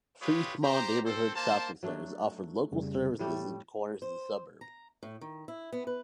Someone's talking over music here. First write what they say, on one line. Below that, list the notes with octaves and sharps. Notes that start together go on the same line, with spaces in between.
Three small neighbourhood shopping centres offer local services in the corners of the suburb.
G#3 F4 G4 B4 C#5 D#6
G4 C5 A#5
C4 A4 C5
A#3 C5 A5
F#3 A3 D4
F2 C#3 G3
A2 G3 A3 E4 G4
C5
A#5
A2
D#3
E4
B3
B4